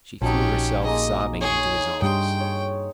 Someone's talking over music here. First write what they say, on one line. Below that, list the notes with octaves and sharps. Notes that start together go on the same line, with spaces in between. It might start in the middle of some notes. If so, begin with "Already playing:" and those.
She threw herself sobbing into his arms.
A#1 C#4 D#4 F#4 G4 A5
G#3 A#3 D#5
G#4 C#5
G2 G3 D4 D#5 G5 C6
C#5